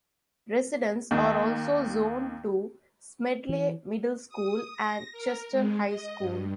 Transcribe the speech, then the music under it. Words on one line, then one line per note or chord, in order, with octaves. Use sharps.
Residents are also zoned to Smedley Middle School and Chester High School.
D#2 D#3
E3
D#6
A#6
A#4
G#3
D#5
G2